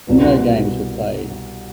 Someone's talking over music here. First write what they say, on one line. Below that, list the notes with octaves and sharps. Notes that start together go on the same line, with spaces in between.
No games were played.
C2 B2 B3